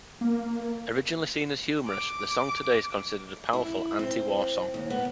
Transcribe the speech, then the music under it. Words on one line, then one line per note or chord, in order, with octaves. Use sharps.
Originally seen as humorous, the song today is considered a powerful anti-war song.
A#3
D6
E4
C4
D#2
B3